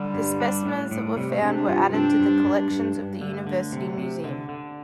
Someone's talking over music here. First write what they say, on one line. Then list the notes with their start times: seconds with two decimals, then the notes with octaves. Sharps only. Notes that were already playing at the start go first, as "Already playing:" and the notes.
The specimens that were found were added to the collections of the University museum.
Already playing: D3 G3
0.14 G2
0.40 D4
0.65 A2
0.91 A2
1.16 C3 G3
1.30 A3
1.42 C3 D4
1.55 D4
1.67 G2 F4
1.93 C4 D4
2.20 G2
2.45 G2
2.71 G2
2.95 G2
3.21 D3 A3
3.47 D3
3.72 C3
3.98 C3
4.24 D3
4.49 D3